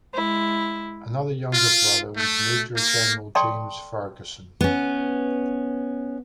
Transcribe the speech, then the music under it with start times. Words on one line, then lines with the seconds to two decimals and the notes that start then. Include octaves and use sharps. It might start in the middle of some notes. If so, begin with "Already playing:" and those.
Another younger brother was Major General James Ferguson.
0.14 G#3 E4
1.53 F4
2.17 A3
2.76 A#3
3.35 A4 D5 G5 A5 C6 C#6
4.61 B3 C#4